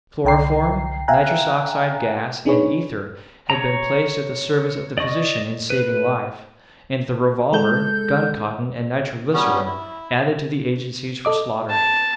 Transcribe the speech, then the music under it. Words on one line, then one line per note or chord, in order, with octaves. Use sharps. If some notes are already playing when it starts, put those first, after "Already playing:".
Chloroform, nitrous oxide gas, and ether had been placed at the service of the physician in saving life, and the revolver, guncotton, and nitroglycerine added to the agencies for slaughter.
C2 D3 G5 A#5 C7
E5 F5 G5 G#5 A#5 F#6
C4 D4 D#4 G#4 B4 C#5
C#5 A#5
D5 D#5 C#6
B4
G#3 A4 G6
F#3 G3 B3 C#4
E4
A4 D#5 D6
A5